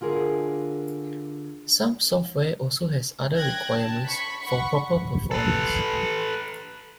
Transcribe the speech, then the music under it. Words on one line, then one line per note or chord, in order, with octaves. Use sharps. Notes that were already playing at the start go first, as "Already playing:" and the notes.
Some software also has other requirements for proper performance.
D3 F4 G#4 A#4
G5 F#6 G#6 A#6
A5
B5 C#6 B6
F#5 B5 C#6
A4 B4